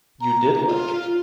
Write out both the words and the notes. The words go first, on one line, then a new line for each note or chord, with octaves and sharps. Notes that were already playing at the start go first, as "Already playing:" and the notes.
You did like.
A#5
F4